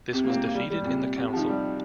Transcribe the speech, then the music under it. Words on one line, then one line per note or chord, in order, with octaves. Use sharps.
This was defeated in the council.
C3
A#3
C4
A#3
A#3
G3
G3
A#2
C3
C3
C3
F3
D#3
G3